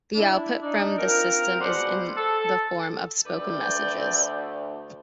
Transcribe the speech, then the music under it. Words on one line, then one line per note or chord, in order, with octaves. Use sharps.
The output from the system is in the form of spoken messages.
D4 E4
D4 D#4
C4 F4 A#4
B2 G#3 C5 D5 F#5
A4
D2 A4 B4 D5 G6